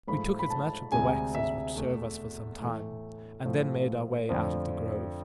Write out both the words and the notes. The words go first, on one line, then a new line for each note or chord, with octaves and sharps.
We took as much of the wax as would serve us for some time, and then made our way out of the grove.
G#2 F3 A3 B5
B5
A5
D2 C3 G#3 G#5
E5
E2 B2 A3
A2 E3 A3
A2 F3 A3
F2 D3 F3 A3